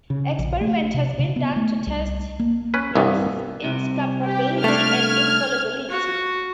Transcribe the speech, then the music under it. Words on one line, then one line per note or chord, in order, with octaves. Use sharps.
Experiments have been done to test inescapability and insolubility.
C#3
A#1
A3
C3
C#3
B3
A3
C2
A#3
C#4 B4
C2 G2 E3 G3 B3
C2 C3
G4
A3 D4 F6 G#6
F#4